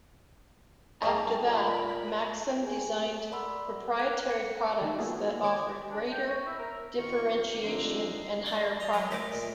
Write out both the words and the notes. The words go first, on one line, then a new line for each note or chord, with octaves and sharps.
After that, Maxim designed proprietary products that offered greater differentiation and higher profits.
D#3 G3 A3 G#4 D#5 F5 G5 A5
A#2 A#4 B5
G4 G#4 G#5
A3
A#4 D5 F#5 B5 C6 E6
A4
B4 F#6 G#6
C#7
D#3 A3 D#4
A#3 B3 F4 F#4 G#4 A4
D#3 C#5 D6 G#6
D4
G5
C#5
E4
A#4
C2 D#3 F4 C#6
F2 D3 D4 D#4 C6
D5
A#5 C6 D#6
F#3
A3 A4 A#4 D6
A#2